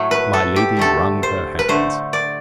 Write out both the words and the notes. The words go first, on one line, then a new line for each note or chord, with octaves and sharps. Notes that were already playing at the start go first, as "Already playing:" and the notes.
My Lady wrung her hands.
Already playing: A2 F#3 A3
B4
A4
G4
D3 A3 A4
C5
B4
D3 A3 C5
D5